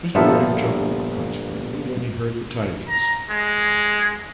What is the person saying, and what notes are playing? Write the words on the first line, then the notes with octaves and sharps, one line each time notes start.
Mr Wegg chuckled, consequently, when he heard the tidings.
G1 A#2 F3 B3 A4 E5
A#5
G#3